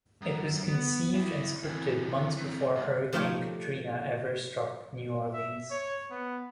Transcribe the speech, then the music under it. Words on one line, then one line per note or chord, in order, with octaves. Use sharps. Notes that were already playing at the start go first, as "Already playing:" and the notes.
It was conceived and scripted months before Hurricane Katrina ever struck New Orleans.
F#2
B3
E4 D5
E3 C4
E3 C4
C2
F3 A3 D#4 F4 G4 C#5
E5
C#5
B3